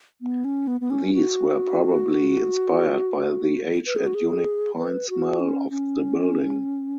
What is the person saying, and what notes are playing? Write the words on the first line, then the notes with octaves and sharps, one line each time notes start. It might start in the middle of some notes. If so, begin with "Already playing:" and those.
These were probably inspired by the age and unique pine smell of the building.
B3
C#4
B3
B3
C#4
F#4
B4
G#4
F#4
G#4
B4
F#4
C#4
C#4